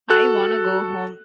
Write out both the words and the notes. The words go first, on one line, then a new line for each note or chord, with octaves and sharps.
I wanna go home.
F#4 A4 F#6